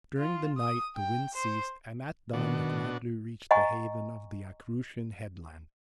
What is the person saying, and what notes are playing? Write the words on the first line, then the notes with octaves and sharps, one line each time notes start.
During the night the wind ceased and at dawn they gladly reached the haven of the Acherusian headland.
F4
D#6
G5
C5
B2 D#3 D4 F#4
D#5 F#5 G#5 A#5 C#6